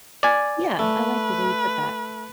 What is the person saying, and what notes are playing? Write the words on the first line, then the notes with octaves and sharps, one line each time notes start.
Yeah. I like the way you put that.
D5 G#5
A3 B4